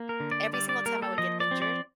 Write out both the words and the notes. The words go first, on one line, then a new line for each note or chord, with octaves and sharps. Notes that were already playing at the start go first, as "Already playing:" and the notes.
every single time, I would get injured
Already playing: A#3
A#4
D3
D5
G3 D5
D5
A#3 A#4
A4
F3 D#5
D5
C4
D5